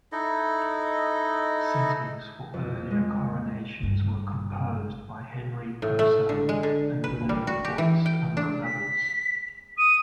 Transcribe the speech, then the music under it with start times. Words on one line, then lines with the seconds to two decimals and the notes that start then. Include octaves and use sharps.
Settings for earlier coronations were composed by Henry Purcell and William Boyce, among others.
0.12 D#4 E4 A4 D#5
2.54 F2
2.91 G#3
3.82 G#1 G2
5.82 A2
5.99 A3
6.29 D3
6.49 G#3
6.63 D3
7.04 B4
7.29 G3
7.47 F#4
7.65 G4
7.78 E3
8.06 G5
8.37 D4
8.64 B6
9.78 D#6 D#7